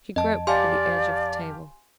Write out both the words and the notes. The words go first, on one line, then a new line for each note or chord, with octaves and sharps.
She groped for the edge of the table.
F2 D#5 A5
G4 D5 F5 G#5 A5 C6